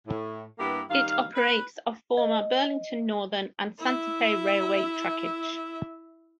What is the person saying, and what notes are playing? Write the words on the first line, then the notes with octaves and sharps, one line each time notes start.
It operates of former Burlington Northern and Santa Fe Railway trackage.
A2
G2 A#3 B3 E4 G4
D#3 G3 F5
B4
D#5
E4 E5